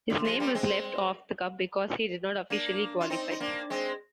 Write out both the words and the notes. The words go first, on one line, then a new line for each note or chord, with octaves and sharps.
His name was left off the cup, because he did not officially qualify.
D3
F3 G#3
G3 A#3
G#3 C4
A#3 D4
F4
C4 D#4
D#4
A#3 D4
G#3 C4